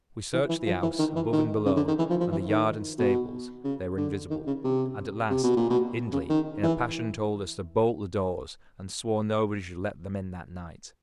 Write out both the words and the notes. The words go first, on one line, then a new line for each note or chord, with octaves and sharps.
We searched the house, above and below, and the yard and stables; they were invisible: and, at last, Hindley in a passion told us to bolt the doors, and swore nobody should let them in that night.
E3
E3
F3
E3
D#3
E3
D#3
C#3
D3
D#3
E3
F3
F3
E3
D#3
B2
C#3
D3
D#3
C#3
C3
C3
B2
A#2
B2
C#3
D#3
E3